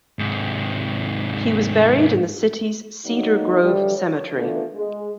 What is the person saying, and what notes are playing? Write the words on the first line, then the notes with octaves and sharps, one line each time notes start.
He was buried in the city's Cedar Grove Cemetery.
G#2 C3
D3 F#3 A#3 D#4
D3 E3 F#3 G3
C#5
D#3 E3 A3 B3 D4 F4
G#3